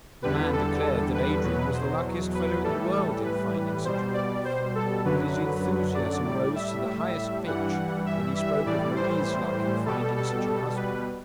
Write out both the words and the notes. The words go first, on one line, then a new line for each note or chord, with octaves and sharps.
The man declared that Adrian was the luckiest fellow in the world in finding such a wife, but his enthusiasm rose to the highest pitch when he spoke of Marie's luck in finding such a husband.
E2 D3 G3 B4
A4
B4
E2 B2 F#3 B4
C5
B4
A2 E3 G3 A4
A4
B4
B2 G3 C5
D5
C5
A4
F#2 D3 F#3 B4
D5
A2 G3 D5
E5
G2 E3 G3 F#5
E5
E5
A2 E3 G3 D5
C5
B2 G3 A4
A4
B4